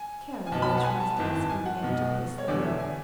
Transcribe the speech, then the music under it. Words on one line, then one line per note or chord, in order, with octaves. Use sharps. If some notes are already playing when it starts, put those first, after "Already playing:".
Kara rose from his desk and began to pace the room.
Already playing: G#5
G#5
B1 B2 A5
B5
A5
F#5
G#5
A5
G#1 G#2 E3 A5
A5
G#5
F#5
B1 B2
C#5
E1 E2 D3 D5
E5
G#5